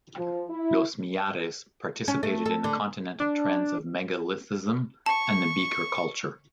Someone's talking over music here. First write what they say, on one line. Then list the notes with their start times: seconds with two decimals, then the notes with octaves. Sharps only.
Los Millares participated in the continental trends of Megalithism and the Beaker culture.
0.18 F3
0.50 E4
2.08 C#4
2.23 A3
2.46 A4
2.64 D3
3.20 D4
5.06 A5 C#6